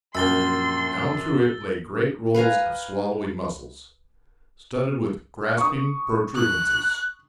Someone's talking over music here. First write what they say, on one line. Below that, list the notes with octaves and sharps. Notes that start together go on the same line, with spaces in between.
Down through it lay great rolls of swallowing-muscles, studded with grasping protuberances.
A#1 F#2 B5 C6 E6 A6 G7
B4 F5 G#5 A#5
C#6 D#6
F#6